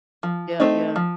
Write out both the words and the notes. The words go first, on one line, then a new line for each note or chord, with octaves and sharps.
Yeah, yeah.
F3
A3 C4 D#4
F3